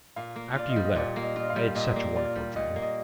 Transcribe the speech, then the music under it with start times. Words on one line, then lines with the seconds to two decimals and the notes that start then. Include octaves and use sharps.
After you left, I had such a wonderful dream.
0.16 A#2 F5
0.36 A#3
0.56 F4 D5
0.70 D#5
0.76 G3
0.85 D#5
0.96 A#2 D5
1.16 A#3
1.23 D#5
1.36 F4 D#5
1.50 F5
1.56 G3
1.75 A#2 D#5
1.96 A#3
2.16 F4 D5
2.36 G3
2.56 A#2 D#5
2.76 A#3
2.82 D#5